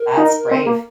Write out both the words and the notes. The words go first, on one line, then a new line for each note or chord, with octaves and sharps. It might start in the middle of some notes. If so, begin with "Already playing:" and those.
That's brave.
Already playing: A#4
D#4
C4
A#3